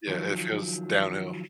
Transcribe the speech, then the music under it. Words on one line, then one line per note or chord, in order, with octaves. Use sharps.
Yeah, it feels downhill,
D#3 F3 F#3